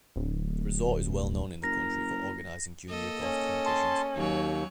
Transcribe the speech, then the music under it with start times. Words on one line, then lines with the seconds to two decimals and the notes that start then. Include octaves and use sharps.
The resort is well known in the country for organising Junior Golf competitions.
0.16 D1
1.64 F#1 A#4 A#6
2.89 A#3 A4 D#5
3.21 C#4
3.66 A5 C6
4.16 D#2 F#3 C#5